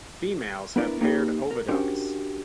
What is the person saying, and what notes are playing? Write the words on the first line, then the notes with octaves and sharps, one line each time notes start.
Females have paired oviducts.
B3 D4 E4 A#4 D5
A#3 D#4 G4 B4
A#4
C#4 D4 F#4 G4 A#4 C5